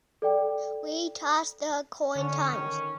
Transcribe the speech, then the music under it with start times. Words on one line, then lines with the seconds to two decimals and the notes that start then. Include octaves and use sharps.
We toss the coin times.
0.22 A4 D5 G5
2.15 D3 C#4
2.53 D#3